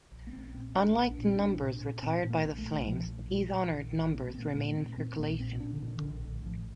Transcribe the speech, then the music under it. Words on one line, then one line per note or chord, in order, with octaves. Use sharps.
Unlike the numbers retired by the Flames these honoured numbers remain in circulation.
A#1
A#3
A#1 C4
A#2 C4
A#1 D4
A#1
D4
A#2 C4
A#1 D4
A#2
A#2
A#2 C4
A#2
A#3
A#1
A3
A#1
A#2 F3
A#1
A#2
A#2
A#1 D#3
A#1
A#2 A#3
C4
A#3
A#2 C4
A#3
A#2 A3
A#2 C4
A#2 C4
A#1 A#3
A#2 C4
A#2 D4
D3
A#2 D#3
D3
A#1 D#3
A1
A2 F3